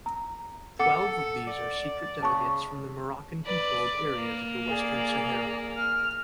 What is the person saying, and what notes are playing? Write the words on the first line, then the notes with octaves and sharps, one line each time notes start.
Twelve of these are secret delegates from the Moroccan-controlled areas of Western Sahara.
A#5
A4 F#5 D6 C#7
D5
C#3 A5 C#6
B4 D5
A#3
G#4 D5
F6